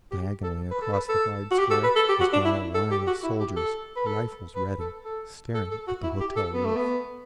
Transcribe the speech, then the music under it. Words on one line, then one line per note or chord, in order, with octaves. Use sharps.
Diagonally across the wide square was drawn a line of soldiers, rifles ready, staring at the hotel roof.
G4
A4
B4
A4
B4
A4
F#4
G4
A4
B4
A4
G4
F#4
D4
E4
A4
G4
F#4
E4
G4
A4
B4
A4
B4
A4
A4
A4
A4
F#4
E4
G4
A4
B3
A3
B3